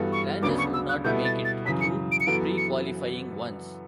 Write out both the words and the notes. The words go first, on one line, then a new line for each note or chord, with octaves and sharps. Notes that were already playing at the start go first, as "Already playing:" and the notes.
Langes would not make it through pre-qualifying once.
Already playing: G2 E3 B3 F#4 A4
C#6
D2 C#3 F#3 B3 D4 D6
C#6
E6
F#6
B2 G3 B3 E4 A4 G6
A6
A6
F#2 C#3 E3 B6
C#7
D7
C#7
F#2 E3 B3 F#4 A4 D7
C#7